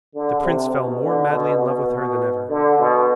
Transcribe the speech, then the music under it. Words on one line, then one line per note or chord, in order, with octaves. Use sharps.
The prince fell more madly in love with her than ever.
D3
C3
B2
D3
B2
B2
B2
D3
B2